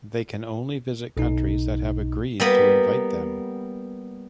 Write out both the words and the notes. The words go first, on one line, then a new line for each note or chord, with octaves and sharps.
They can only visit countries that have agreed to invite them.
B1 B2 D#4
G3 A#3 B3